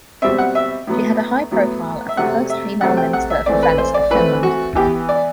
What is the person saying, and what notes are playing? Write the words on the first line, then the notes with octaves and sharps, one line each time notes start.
She had a high profile as the first female Minister of Defence of Finland.
B2 G3 C4 E5
F#5
E5
A2 F#3 B3
A2 F#3 B3
E5
C3 F#3 A3 C4 F#5
E5
C3 F#3 A3 C4 F#5
G5
F#5
E5
E3 A3 C4 D5
B4
C5
D5
E3 A3 C4 B4
F#4
E3 B3 G4
D5